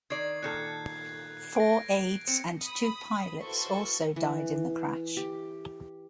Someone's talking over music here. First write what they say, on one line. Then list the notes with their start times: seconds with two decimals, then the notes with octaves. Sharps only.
Four aides and two pilots also died in the crash.
0.10 D#3 D5 G#6 C7
0.43 A#2 D#3 A4 F#6 G6
1.56 A#6 D7
2.27 C4 C#7
2.63 B5 D#6
3.42 E4 F#4 A4 B4 C5 C#6
4.16 E3
5.17 G4